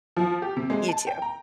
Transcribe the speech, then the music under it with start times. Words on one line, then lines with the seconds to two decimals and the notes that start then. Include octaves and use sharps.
You too.
0.17 F3
0.42 G4
0.57 C3
0.70 G#3
0.88 A5
1.07 G5
1.22 A#5